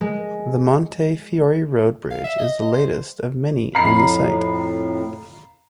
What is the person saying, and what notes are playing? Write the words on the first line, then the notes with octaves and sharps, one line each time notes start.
The Montefiore Road bridge is the latest of many on the site.
G#3
F5
E5
D#5
D#5
C5
F2 A2 F5 A#5 B5 C7